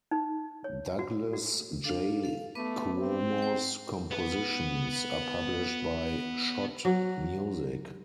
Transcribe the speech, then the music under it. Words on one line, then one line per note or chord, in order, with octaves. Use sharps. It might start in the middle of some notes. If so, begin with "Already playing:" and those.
Douglas J. Cuomo's compositions are published by Schott Music.
D#4
C#5
F#4
F#4
D4 A4 F5
A4 F5
A3 B3 B4 D6
C4
C5 G5
B3 B4
F#3